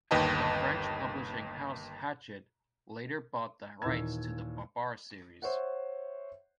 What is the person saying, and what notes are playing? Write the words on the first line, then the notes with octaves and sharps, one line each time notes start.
The French publishing house Hachette later bought the rights to the Babar series.
G1 D#2 B4 D#5 G5 A5
D#2 A#2 E3 D#4 E6 G#6
C5 C#5 E5 F#5